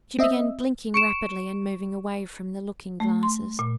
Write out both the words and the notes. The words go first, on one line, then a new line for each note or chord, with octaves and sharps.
She began blinking rapidly and moved away from the looking glasses.
C4 D#5 E5
C#6 C#7 D7 E7
A3
C6
A#2